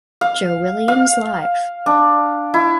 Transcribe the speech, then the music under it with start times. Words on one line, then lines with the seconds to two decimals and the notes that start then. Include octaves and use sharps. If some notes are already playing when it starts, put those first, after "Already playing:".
Joe Williams Live!
0.21 F5
0.88 F5
1.86 D4
2.54 E4